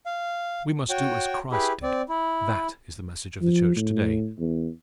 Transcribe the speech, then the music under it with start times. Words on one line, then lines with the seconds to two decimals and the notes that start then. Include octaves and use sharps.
We must do as Christ did; that is the message of the Church today.
0.06 F5
0.90 F#4 C#5 G5
1.52 E4 G4 G#4 B4
1.82 C4 D5
2.09 E4
3.41 F3
3.76 A2
4.39 E2